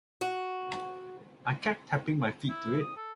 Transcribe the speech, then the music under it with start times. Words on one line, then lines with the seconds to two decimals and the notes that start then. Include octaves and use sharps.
I kept tapping my feet to it.
0.21 F#4
2.49 E4
2.80 D#6
2.96 A4